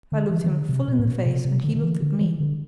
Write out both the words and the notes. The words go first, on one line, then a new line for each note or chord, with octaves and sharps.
I looked him full in the face, and he looked at me.
D3
E3
E3
D3
C3
B2
A2
B2
C3
C3
D3
D3
E3
D3
E3
D3